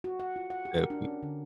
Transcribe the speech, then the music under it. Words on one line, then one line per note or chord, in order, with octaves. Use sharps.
That'd be
F#4
F#5
F4
F#5
G4
A#4
D4
C#4
D3